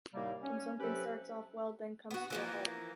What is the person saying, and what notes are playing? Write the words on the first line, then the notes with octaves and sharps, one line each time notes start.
When something starts off well, then comes to a halt.
D#2 A2 C3 G3 A#3
C#4
C3 F#3 C#4 G4 A4 B4
B3 F#4
E3 F3 A#3